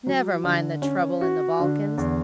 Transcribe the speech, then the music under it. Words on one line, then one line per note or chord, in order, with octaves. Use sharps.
'Never mind the trouble in the Balkans.
F#3
D3
C#4
F#4
D3
E2